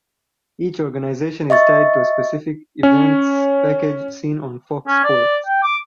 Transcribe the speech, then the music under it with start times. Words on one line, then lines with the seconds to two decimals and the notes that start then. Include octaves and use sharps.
Each organization is tied to a specific events package seen on Fox Sports.
1.50 D#5 E5 C#6 A6
2.83 C#4 C#5
4.87 C#4
5.04 D5
5.46 G5
5.63 D6